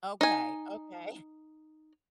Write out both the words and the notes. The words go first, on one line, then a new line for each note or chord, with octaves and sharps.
Okay, okay.
D#4 G#5